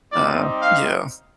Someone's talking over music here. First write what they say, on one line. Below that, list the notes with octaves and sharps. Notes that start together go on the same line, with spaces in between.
Uh, yeah.
G3 C4 D#4 G4 D5
F5